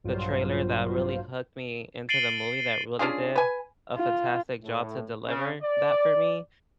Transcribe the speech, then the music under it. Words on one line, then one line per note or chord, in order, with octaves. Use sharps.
the trailer that really hooked me into the movie, that really did a fantastic job to deliver that for me,
A#1 G2 F#3 F4 C5
A6 C7 D7 D#7 F#7 G7
C#4 D4 F4 G#4
B4 G#5
F4
A2
C#3
D5